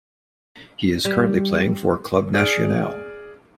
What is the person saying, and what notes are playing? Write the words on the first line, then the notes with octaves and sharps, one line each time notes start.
He is currently playing for Club Nacional.
G3
G#4 D5 F6 D7